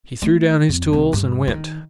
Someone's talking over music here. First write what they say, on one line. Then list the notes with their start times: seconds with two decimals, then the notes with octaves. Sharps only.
He threw down his tools and went.
0.22 A3
0.69 F2
0.93 C2
1.13 G2
1.48 D#3